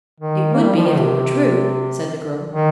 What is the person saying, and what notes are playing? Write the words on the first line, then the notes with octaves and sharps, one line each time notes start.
"It would be, if it were true," said the girl.
D#3
A#3
G3
F3
D#3
C3
D#3